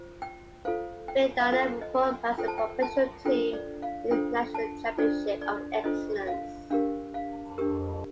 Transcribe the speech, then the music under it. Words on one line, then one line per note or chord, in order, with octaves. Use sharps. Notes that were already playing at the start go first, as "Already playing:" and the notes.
Viadana reformed as a professional team in the National Championship of Excellence.
Already playing: F4 C5
G5
F4 A4 C5 F5
G5
F5
F4 A4 C5 G5
D#5
F4 A4 C5 G5
A5
G5
A5
D4 F4 A4 C5 G5
D5
F5
D4 F4 A4 C5 G5
A5
D4 F4 A4 C5 D5
D5
D4 F4 A4 C5 D#5
F5
D4 G4 A#4 F5
F5
D4 G4 A#4